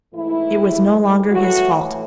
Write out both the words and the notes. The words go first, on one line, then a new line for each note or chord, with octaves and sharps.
It was no longer his fault.
G#2 E3 A3 E4
A2 E3 A3 F#4